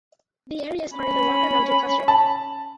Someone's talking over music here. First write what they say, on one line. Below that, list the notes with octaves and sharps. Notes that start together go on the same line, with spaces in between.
The area is part of the Walker Mountain Cluster.
C#4 B5
A5